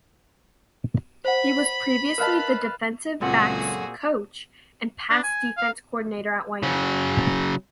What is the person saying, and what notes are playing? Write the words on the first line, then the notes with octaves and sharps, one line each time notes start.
He was previously the defensive backs coach and pass defense coordinator at Wyoming.
C5 F#5 B5
A#4 B4 D#5 F5 A5
C#2 F#2 A#2 C4 F#4 G#4 A4 F#5
D4
G#5
F5
C#3 F#3